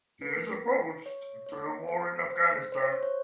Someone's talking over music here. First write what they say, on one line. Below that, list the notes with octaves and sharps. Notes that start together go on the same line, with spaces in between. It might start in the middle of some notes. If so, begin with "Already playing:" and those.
He is opposed to the war in Afghanistan.
B4
A#4
B4
C#5
C#5
C5
C5
C5
C#5
C5
C#5